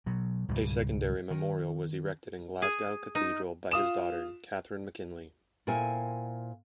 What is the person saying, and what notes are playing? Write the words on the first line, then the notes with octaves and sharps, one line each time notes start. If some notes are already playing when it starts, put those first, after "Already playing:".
A secondary memorial was erected in Glasgow Cathedral by his daughter, Katherine MacKinlay.
B2 F#3
C#2 G#2 B2 G3
D#3
G#4
D#4
F4 D#6 E7
A#2 E4 A#4 C5 G5 G#5